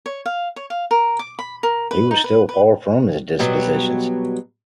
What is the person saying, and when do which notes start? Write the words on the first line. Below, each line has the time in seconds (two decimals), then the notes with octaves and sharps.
He was still far from his dispositions.
0.06 C#5
0.26 F5
0.56 C#5
0.70 F5
0.91 A#4
1.19 D6
1.39 B5
1.63 A#4
1.91 B4
2.11 D#4
2.24 B4
2.49 B4
3.39 B2 F#3 G3